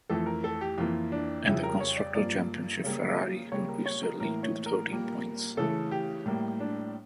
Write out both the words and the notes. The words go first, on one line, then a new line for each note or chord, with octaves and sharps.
In the Constructors' Championship, Ferrari increased their lead to thirteen points.
F2 E3 A3 A4
A#4
A4
G4
F2 E3 A#3 F4
D4
F2 C#3 G3 E4
A#4
C#5
D5
G2 F3 A#3 D5
C#3 G3 A#3
C#3 G3 A#3 C#5
A#4
C#5
A#4
A2 E3 A#3 A#4
C#5
A#4
A#2 G3 A#3
C#3 E3 A3 A4
G4
A2 G3 A#3
D4